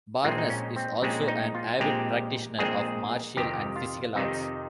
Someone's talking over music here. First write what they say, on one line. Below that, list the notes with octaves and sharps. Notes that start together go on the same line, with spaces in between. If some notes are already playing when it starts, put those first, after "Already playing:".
Barnes is also an avid practitioner of martial and physical arts.
A#1 A#2 G#3 C4 F4
D#4
C#4
C4
A#1 A#2 G#3 C4 C#4
D#4
F4
A#1 A#2 G#3 C4 G4
A#1 A#2 G#3 C4 G#4
F2 C3 D#3 G4
F4
F2 C3 D#3 D#4